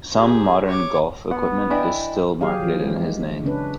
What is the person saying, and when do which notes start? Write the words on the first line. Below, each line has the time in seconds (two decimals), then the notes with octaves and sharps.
Some modern golf equipment is still marketed in his name.
0.14 G4 G#4
0.68 C#5 D6
1.31 B3 F#5
1.70 E3 D4 E4 D#5 G5 B5
2.41 F#3 G4 G#4 F5
2.60 E3 F3
2.83 G#3
3.44 C#3 C#4 D4 B4